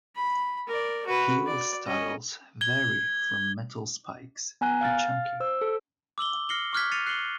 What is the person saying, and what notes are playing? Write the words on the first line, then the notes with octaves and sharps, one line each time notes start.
Heel styles vary from metal spikes to chunky.
B5
A#4 D5
F#4 B4
D5
C#4 D#5
G#6 G7
B3 G#5 A#5 F#6
F5 F6 A6
C5 E6
A4
D6 E6 F#7 G7
F6 A#6 C7 C#7 F#7 G7
C#6 D6 F6 F#6 G#6 B6
A6 C7 C#7 D#7 F7
F#6 C7 C#7 F#7 G7